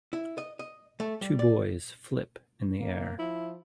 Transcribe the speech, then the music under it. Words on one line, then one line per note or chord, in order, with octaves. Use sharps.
Two boys flip in the air.
E4
D#5
D#5
A3
G3
D5
A#3
F3 E4